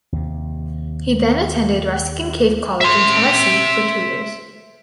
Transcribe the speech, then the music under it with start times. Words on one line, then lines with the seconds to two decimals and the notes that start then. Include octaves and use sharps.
He then attended Ruskin Cave College in Tennessee for two years.
0.13 D#2 C3
2.81 E5 C6